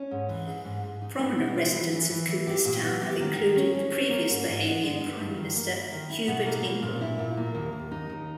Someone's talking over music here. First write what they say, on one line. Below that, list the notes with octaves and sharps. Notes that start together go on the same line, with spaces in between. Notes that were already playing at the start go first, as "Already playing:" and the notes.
Prominent residents of Coopers Town have included the previous Bahamian Prime Minister Hubert Ingraham.
Already playing: C#4
G#2
E3
G#2
G#2
G#2
D#4
B3
B2
G#3
E3
E3
E3
E3
G4
A#2
B3
G4
D#3
D#3
C#4
C#4
C#4
A#3
G#2
G#2
B3
G#3
G2
G2
D#3
A#3
E4
D#3
E4
B2
A#3
B2
A#2
E4
A#2
A#3
D#2
D#2
D#4
D#2